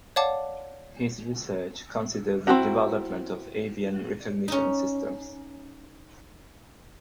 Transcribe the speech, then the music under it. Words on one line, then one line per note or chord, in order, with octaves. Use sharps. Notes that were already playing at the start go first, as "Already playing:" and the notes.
His research considers the development of avian recognition systems.
C#5 D5 F5 F#5 A5 D6
C4 D4 E4 F#4 A#5
C#4 D#4